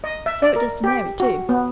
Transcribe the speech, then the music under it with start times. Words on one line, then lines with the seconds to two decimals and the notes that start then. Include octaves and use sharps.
So it does to Mary, too.
0.04 D#5
0.26 E5
0.42 D5
0.56 A#4
0.84 G4
1.20 F#4
1.49 B3